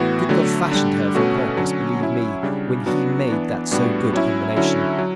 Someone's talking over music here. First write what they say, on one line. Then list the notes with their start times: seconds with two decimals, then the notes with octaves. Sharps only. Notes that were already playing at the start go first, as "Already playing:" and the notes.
The good God fashioned her for a purpose, believe me, when He made that so good combination.
Already playing: A2 E3 B3 F#4
0.29 D3 F#3 A3
0.72 D3 G3 D4
1.15 B2 A3 C#4 F#4
1.57 D3 F#3 C#4
2.01 F#3 C#4 E4
2.43 C#3 G3 D4
2.86 F#3 B3 D4 F#4
3.28 E3 B3 D4
3.71 A2 G3 B3 D4 F#4
4.13 F#3 C#4 E4
4.56 D3 F#3 C#4 E4
4.98 F#3